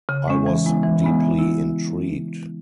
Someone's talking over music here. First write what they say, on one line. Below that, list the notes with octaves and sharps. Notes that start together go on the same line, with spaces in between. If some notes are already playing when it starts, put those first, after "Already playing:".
I was deeply intrigued.
C#3
G#3 C#4
E3
G#3 B3 E4
E3
G#3 B3 E4
E3
E4